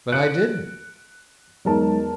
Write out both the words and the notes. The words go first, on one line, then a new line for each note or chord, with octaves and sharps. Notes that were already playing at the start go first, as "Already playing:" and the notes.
"But I didn't."
F#6 C#7 D7
E2 F#3 G#3 D#4 A#4 A5